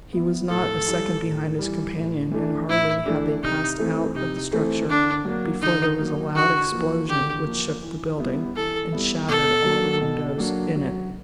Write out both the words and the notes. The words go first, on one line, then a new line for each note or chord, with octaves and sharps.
He was not a second behind his companion, and hardly had they passed out of the structure before there was a loud explosion which shook the building, and shattered all the windows in it.
B3 E4
A2 A4
E3 G3
A2
E3 G3
A2
E3 A3 D4
A2 E4
E3 A3 D4
C3 D#4
E3 A3 C4
C3 D#4
E3 A3 C4
D3 D4
F#3 A#3
D3 D#4
F#3 A#3
D3 F#4
F3 A#3
D3 G4
F3 A#3
E3
G3 B3 E4
E3 A4
G3 B3 E4
B2 A4
F#3 A#3 D4
B2
F#3 A#3 D4
F#3